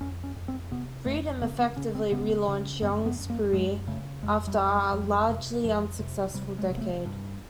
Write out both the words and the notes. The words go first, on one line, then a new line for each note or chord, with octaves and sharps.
"Freedom" effectively relaunched Young's career after a largely unsuccessful decade.
F2 C#4
C#4
F2
C4
C3 B3
F2 A3
C#3 B3
B3
C#3 C#4
C4
C#3 B3
C#3
F#2 B3
B3
F#2
A#3
F#2 G#3
C#3 A3
F2 G#3
G3
F2
G3
F2 F#3
C3
F2 F3
C3
C3 G3
G#3
C3
A#3
A3
G2